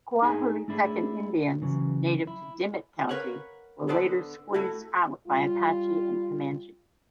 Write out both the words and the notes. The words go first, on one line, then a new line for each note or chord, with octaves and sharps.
Coahuiltecan Indians native to Dimmit County were later squeezed out by Apache and Comanche.
D4 D#4 G#4 D#5 E5 G#5
A3 D4 E4 G#4
C#3 E3 F#3
E4
A#4 B4 C#5 F5 F#5
D3 B3 B4 C5 D5 A5
A3 E4 F#4
G3 F4